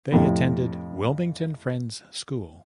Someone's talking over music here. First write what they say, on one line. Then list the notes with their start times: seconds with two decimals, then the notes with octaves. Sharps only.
They attended Wilmington Friends School.
0.12 F2 A2 C3